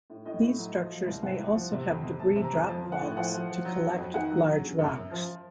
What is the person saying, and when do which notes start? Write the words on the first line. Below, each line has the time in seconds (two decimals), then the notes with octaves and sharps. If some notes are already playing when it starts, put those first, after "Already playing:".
These structures may also have debris drop vaults to collect large rocks.
0.10 A2
0.26 A2 D#5
0.43 A2
0.58 F#3
0.74 F3
0.91 F3
1.06 C2
1.23 C3 F#5
1.38 C2
1.55 F3
1.72 C3
1.88 F2
2.03 C3
2.20 C3 A5
2.36 C3
2.44 A#5
2.53 F2
2.68 F3 A5
2.84 F3
2.92 F#5
3.01 A2
3.17 F3 F#5
3.34 F3
3.50 F3
3.65 F#3
3.82 F#3
3.97 F2
4.13 D#3 F#5
4.30 F#3
4.46 F#3
4.63 C#3
4.78 F#2
4.95 F#2
5.11 F3